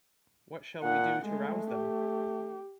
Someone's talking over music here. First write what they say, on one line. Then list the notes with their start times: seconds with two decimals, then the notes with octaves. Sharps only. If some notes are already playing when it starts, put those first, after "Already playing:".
What shall we do to rouse them?
0.83 A#2 F#5
1.26 G#3 A3
1.71 G4